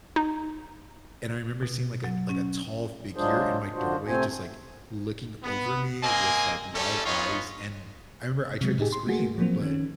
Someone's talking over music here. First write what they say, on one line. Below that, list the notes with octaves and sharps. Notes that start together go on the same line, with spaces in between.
And I remember seeing, like a a like, a tall figure in my doorway just, like, looking over me with, like, wide eyes, and I remember I tried to scream, but
D#4
B2
F#3
C#4
F#3 G#3 D4 F4 G#4 C5
D3 D4 F4 F#4 C5
C3 A3 C4 C5 G#5
B3
A#3 C4 D#5 G#5
G3 A3 C#4 A4
B3 D#4 F4 C#5
C3 F#3 G#3
A2 D#4 G4 G#4
C6
A3 A#3 F#4 G#4
F3 F#3 A#3 C4
D#3 C#4